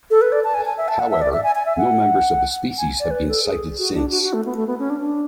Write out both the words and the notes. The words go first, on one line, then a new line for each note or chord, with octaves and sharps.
However, no members of the species have been sighted since.
A4
B4
D5
A5
G#5
G#5
E5
A5
F#5
E5
D5
E5
G#5
G#5
E5
F#5
G#5
D5
B4
A4
G#4
F#4
D4
F#4
F#4
A3
B3
A3
B3
C#4
D4
D4